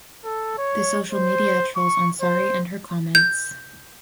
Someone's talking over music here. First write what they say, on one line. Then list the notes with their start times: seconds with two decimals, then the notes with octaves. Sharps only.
The social media trolls Ansari and her comments.
0.25 A4
0.58 C#5
1.11 C5
1.76 C#6
2.21 C5
3.15 G6